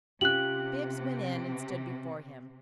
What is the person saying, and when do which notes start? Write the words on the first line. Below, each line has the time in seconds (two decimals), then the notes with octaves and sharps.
Bibbs went in and stood before him.
0.21 C3 C#4 F4 G4 F#6 F#7